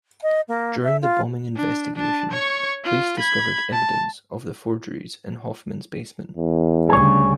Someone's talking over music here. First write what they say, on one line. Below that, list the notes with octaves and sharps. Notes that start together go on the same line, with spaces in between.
During the bombing investigation, police discovered evidence of the forgeries in Hofmann's basement.
D#5
A#3
E5
F4
D4
D4 A5
C#5 C#6
F4
B5 G#6
A5
E2
D2 C#3 G3 G#4 C#5